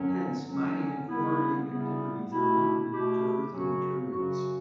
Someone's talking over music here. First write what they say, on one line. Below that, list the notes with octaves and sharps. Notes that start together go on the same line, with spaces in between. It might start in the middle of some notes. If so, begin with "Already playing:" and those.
Hence mining and quarrying activities are limited to earthen materials.
Already playing: F#2 D3 F#3 C#4
F#2 D3 F#3 C#4
C#3 G3 B3 E4
C#3 G3 B3 E4
B2 A3 E4 G4
B2 A3 E4 G4
F#2 C#3 F#3 C#4 F#4
F#2 C#3 F#3 C#4 F#4